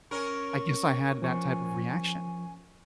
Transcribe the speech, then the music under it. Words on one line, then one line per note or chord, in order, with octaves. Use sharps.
I guess I had that type of reaction.
C#4 A#4 C#6
F3 G#5 C#6